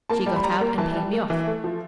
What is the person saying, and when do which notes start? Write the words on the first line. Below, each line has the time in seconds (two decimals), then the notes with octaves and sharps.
She got out and paid me off.
0.09 A#3 A5
0.26 G3
0.36 B5
0.44 G3 A#5
0.61 A#3
0.78 E3 A5
0.95 G3
1.13 A#3
1.30 E3
1.47 A3
1.64 F3